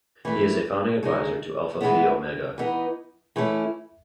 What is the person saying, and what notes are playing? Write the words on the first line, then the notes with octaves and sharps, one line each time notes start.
He is a founding advisor to Alpha Phi Omega.
E3 A3 E4
C#3 G#3 D#4
E3 G#3 B3 E4
E3 B3 D#4
E3 A3 C#4 E4